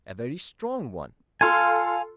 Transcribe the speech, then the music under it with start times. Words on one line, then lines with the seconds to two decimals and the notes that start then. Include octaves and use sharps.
A very strong one.
1.41 F4 A4 F5 G#5 C6